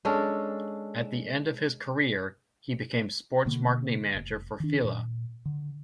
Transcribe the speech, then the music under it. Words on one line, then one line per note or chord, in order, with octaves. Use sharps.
At the end of his career, he became sports marketing manager for Fila.
G#3 C#4 D4 A4
B2 D3 A#3
F1
D#3 D4
A#2
D3